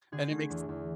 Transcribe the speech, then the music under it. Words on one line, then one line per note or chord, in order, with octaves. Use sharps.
And it makes
D3 G#4
A3
E2
E2